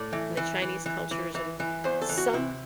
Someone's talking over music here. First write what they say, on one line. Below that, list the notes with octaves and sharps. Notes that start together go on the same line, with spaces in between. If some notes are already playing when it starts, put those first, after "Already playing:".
and the Chinese cultures and some,
Already playing: A2 D5
E3
E3
E3
E3
E3
E3
E3
E2 C5
A4
E3
F#4
C3 E4